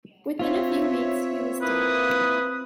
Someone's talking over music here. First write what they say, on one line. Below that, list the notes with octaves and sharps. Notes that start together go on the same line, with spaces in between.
Within a few weeks, he was dead.
C4 F4 C#5 E5
A#3 E4 B4 D#6